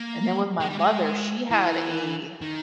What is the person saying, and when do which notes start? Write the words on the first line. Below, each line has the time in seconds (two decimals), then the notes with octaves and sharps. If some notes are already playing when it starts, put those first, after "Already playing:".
and then with my mother, she had a
Already playing: A#3
0.60 G#3
0.69 G3
0.78 G#3
1.51 E3
2.41 D#3